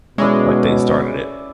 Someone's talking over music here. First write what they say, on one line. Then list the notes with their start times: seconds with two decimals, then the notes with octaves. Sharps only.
But, like, they started it.
0.18 B2 G#3 C#4 E4 D5